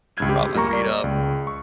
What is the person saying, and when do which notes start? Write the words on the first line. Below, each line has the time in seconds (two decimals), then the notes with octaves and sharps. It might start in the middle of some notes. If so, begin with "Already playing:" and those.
prop my feet up,
0.18 C#2 G2 G#6
0.29 G4
0.54 A#2 G3 A#3 A#5 C#6
0.73 D5
1.04 C#2
1.47 C#6